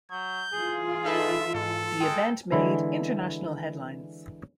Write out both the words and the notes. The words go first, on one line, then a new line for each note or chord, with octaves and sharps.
The event made international headlines.
F#3 G6
E3 F4 G#4
D#4 A4 B4 E5
G#2 A4
G#3 G5
D3 E3 G#3 E4